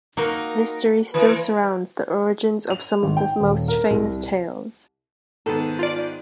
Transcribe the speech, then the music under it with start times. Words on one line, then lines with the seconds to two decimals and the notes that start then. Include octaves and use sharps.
Mystery still surrounds the origins of some of the most famous tales.
0.17 A#3 D#4 F#4 A#4
1.14 E3 B4
2.70 F7
3.03 G#1
3.17 G5
3.40 D#1
3.68 A#4
3.90 C2
5.46 G#2 D#3 B3 A4
5.79 F4 D5